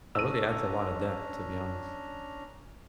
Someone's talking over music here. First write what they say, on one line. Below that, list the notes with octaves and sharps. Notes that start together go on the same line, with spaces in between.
That really adds a lotta depth, to be honest.
C#4 D4 A#5 E6 D#7